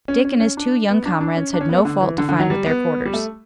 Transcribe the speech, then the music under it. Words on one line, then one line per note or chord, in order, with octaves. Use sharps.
Dick and his two young comrades had no fault to find with their quarters.
C#4
C#4
C#4
D4
B3
D4
D4
C#4
D4
C#4
B3
A3
D3
E3
D3
D3
F#3
G3
B3
G3
A3